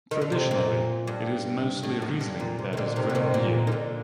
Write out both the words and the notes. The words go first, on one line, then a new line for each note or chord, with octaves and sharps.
Traditionally, it is mostly Riesling that is grown here.
D#3
D3
C3
A#2
G2
A2
F#2
G2
A#2
C3
D#3
A#2 D3
C3 D#3
F#3
C3 D#3
A#2 D3
D#3
A#2 D3